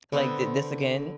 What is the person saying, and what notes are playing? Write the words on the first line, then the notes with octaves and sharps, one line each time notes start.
Like, "Thi this again?"
D3 B3 C4 C5